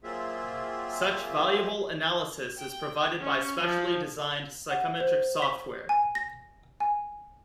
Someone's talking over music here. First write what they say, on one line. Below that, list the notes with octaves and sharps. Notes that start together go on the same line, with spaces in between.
Such valuable analysis is provided by specially-designed psychometric software.
F#3 A#3 C4 F4 G#4 E5
G5
C#4
F3
F#5
C5
B6
G#5
A#6
G#5